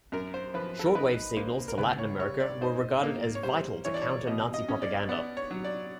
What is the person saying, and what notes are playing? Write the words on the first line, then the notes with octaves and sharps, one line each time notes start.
Shortwave signals to Latin America were regarded as vital to counter Nazi propaganda.
F#2 A#4
C5
F3 B4
A4
A#4
D#4 B4
A#3 C5
A#4
C#2 B4
C#5
G3 C#5
D5
D#4 C5
A#3
C#5
G3 C5
E3 C#5
D5
C#5
B2 D#5
D#5
C#4
D5
B3 D5
C#5
F#3
D5